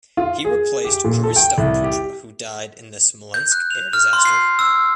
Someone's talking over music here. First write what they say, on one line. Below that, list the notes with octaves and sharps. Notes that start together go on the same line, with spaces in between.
He replaced Krzysztof Putra who died in the Smolensk air disaster.
F4
G#4
G4
A#2
A4
G5
C2
G4
G6
F#6
F7
F6
C6
C7
E6